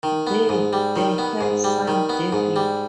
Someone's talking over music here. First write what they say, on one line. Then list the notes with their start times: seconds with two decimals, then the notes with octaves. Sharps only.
There, they had son David.
0.03 D#3
0.27 B3
0.49 G#2
0.73 G3
0.96 D#3
1.18 B3
1.41 G#2
1.64 G3
1.88 D#3
2.09 B3
2.33 G#2
2.56 G3